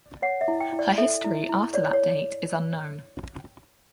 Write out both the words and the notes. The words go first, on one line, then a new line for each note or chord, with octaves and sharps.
Her history after that date is unknown.
C#5 F#5
E5
E4
G5
E4
D5
A4 E5
E4
E4
C#5 D5
C#5